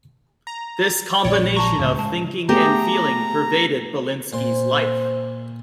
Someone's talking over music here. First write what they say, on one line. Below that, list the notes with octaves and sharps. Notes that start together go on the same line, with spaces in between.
This combination of thinking and feeling pervaded Belinsky's life.
A#5
A#1 G#3 C#5 D5 D7
A5 A#5 C#6
C#2 A2 C#3
G#3 A5
A3 B3 G4 G#4 A#5
A#2 C5 C6